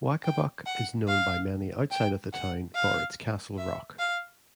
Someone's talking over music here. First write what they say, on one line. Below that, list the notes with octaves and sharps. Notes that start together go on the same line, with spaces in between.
Waccabuc is known by many outside of the town for its Castle Rock.
G5
F#5
F5
G5
F#5
F5
E5
F5